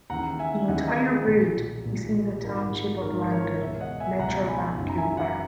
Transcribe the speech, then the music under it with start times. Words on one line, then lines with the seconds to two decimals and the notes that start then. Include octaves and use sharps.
The entire route is in the Township of Langley, Metro Vancouver.
0.10 D#2 C#3 E3 F#5 A#5
0.39 E5 G#5
0.68 D#2 C#3 E3 D#5 F#5
0.88 B4 D#5
1.08 G#4
1.27 B1 A#2
1.86 B1 A#2
2.44 G#1 G#2 D#3 A#4
3.02 G#1 G#2 D#3 A#4
3.32 A#4 C#5
3.61 C#2 C#5 E5
3.65 B2
3.80 D#5 F#5
4.00 E5 G#5
4.19 C#2 B2 F#5 A#5
4.48 G#5 B5
4.77 F#1 F#2 D#3
4.89 A#5
4.97 E5 G#5
5.17 F#5 A#5